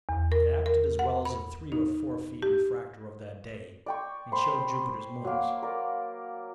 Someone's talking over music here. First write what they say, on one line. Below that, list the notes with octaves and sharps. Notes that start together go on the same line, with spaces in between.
It acted as well as a three or four feet refractor of that day, and showed Jupiter's moons.
E2
A#4
A#4
F#5
B5
D#4
G4
D5 G5 C#6
C5 B5 C6
F#3 A#3
A#4 D5